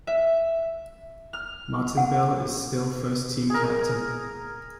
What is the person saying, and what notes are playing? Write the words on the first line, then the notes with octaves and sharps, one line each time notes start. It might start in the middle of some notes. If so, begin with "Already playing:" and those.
Martin Bell is still first team captain.
E5
F6
F#5
G#4 A#4